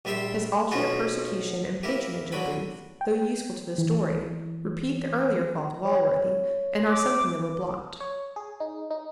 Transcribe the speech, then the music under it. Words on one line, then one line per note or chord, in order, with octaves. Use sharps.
His alternate persecution and patronage of Booth, though useful to the story, repeat the earlier fault of Allworthy, and are something of a blot.
A#1 G3 G4 E5 G5 C6
B1 F3 C#4 F4 F#4
A#3 E4 G4
D3 F#3 G5 B5
G5
E3
C#5
D6
C#5
G#4
D#4
D#4